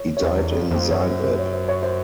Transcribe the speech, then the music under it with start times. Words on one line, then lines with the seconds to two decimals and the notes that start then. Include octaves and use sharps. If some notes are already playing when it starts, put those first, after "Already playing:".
He died in Zagreb.
Already playing: C#5
0.17 C#5
0.23 E2 C5
0.52 F2 C#5
0.71 F2 C5
0.90 F#2 C#5
1.10 C5
1.24 C5
1.39 C#5
1.53 C5
1.68 C#5
1.82 C5